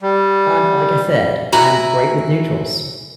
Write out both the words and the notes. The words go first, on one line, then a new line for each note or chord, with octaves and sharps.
Um, like I said, I'm great with neutrals
G3
E4 F#4 G#5 A#5